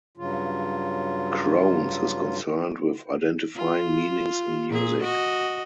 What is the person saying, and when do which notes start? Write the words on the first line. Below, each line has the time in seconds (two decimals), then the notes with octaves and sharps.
Krones is concerned with identifying meanings in music.
0.17 G2 C#3 F#3 F4
3.56 F4
4.70 A#2 G#4
5.03 F#4 D#5